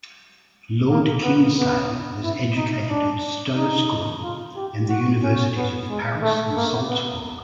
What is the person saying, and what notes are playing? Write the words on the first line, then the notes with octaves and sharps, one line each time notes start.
Lord Kingsale was educated at Stowe School, and the Universities of Paris and Salzburg.
A#3
B3
B3
E4
D#4
D4
D#4
F4
G4
F#4
C#4
B3
G#3
A3
A#3
B3